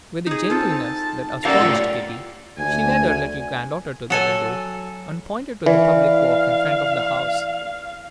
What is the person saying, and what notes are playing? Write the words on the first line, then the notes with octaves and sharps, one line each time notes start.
With a gentleness that astonished Kitty, she led her little granddaughter to the window, and pointed to the public walk in front of the house.
D#4 G#4
C4 F4 A4 A5
C#4 G4 A4 A#4 D5 F5 F#5
A2 F4
D2 G#5
F#3 A4 G#5
E3 D5 F5